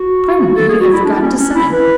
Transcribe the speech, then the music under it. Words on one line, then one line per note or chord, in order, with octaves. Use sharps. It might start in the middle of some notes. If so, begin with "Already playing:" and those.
"Pardon me, you have forgotten to sign."
Already playing: F#4
A4
G#4
F#4
E4
D4
D4
C#4
C#4
E4
B4